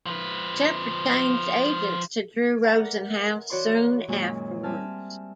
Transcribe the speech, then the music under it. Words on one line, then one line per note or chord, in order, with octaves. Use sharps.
Sheppard changed agents to Drew Rosenhaus soon afterwards.
F3 B4
A#4 B4 D5 E5 F#5 A#5
E3 F#4 C#5 D5 B5 C6
F#2 A#2 D#3 F#3 G#3
G3 C4 E5 G#5 A5 F6